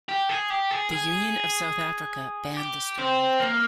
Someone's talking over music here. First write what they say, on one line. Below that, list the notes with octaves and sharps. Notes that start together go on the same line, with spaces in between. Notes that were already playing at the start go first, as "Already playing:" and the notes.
The Union of South Africa banned the story.
G4
G#4
G4
G#4
G#4
G4
C4
A#3